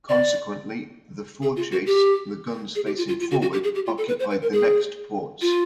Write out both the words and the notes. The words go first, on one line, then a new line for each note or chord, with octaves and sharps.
Consequently, the fore chase - the guns facing forward - occupied the next ports.
D5
G#4
F4
F#4
G4
G#4
G4
F4
F4
F4
F#4
F#4
G4
G#4
G4
F4
A4
B4
C5
B4
A#4
G#4
F4